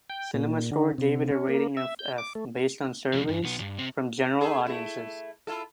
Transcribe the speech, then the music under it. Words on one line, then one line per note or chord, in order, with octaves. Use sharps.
CinemaScore gave it a rating of "F" based on surveys from general audiences.
G5
A#2
D3
C3
C#4
A#3
E5
G6
D6
A3
C3 F3
G2
B1 B3
D2 G2
C3 C4
A3 G#4 A4
A3 E4
E4 F4 A4